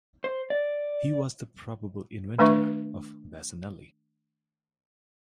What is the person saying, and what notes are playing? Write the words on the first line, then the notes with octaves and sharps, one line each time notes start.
He was the probable inventor of bassanelli.
C5
D5
D#3 A3 D4 B4 E5 C#6